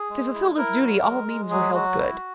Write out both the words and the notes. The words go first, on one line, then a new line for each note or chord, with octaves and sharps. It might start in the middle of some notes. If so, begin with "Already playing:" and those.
To fulfil this duty all means were held good.
Already playing: G#4
G#3
E4
E4 A#4
F#3
G#3
G#3
F#3 G#4
F#3 F#4
E4